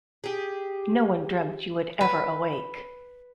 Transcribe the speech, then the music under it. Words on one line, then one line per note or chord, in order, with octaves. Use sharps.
No one dreamt you would ever awake.
G4 G#4
B4